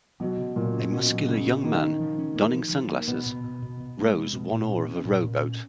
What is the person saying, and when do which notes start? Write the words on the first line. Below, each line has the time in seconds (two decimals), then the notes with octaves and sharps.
A muscular young man, donning sunglasses, rows one oar of a rowboat.
0.20 B2 F#3
0.37 C#3
0.56 A#2 F#3
0.73 C#4
0.92 B2 C#4
1.10 F#3
1.28 C#3 C#4
1.46 C#4
1.63 D#3 A#3
1.82 C#4
1.99 F3
2.18 C#4
2.36 A#3
2.54 F3
2.72 F3
2.89 A#3
3.08 B2 B3
3.26 B2
3.44 B2
3.62 B2
3.80 B2
3.98 G#3
4.15 B3
4.33 B2
4.52 A#2
4.69 C#4
4.88 C#4
5.05 A#2
5.24 A#2
5.42 C#4